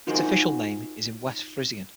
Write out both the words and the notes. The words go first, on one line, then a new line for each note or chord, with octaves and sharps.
Its official name is in West Frisian.
D#4 F4 F#4 G#4 A#4 C5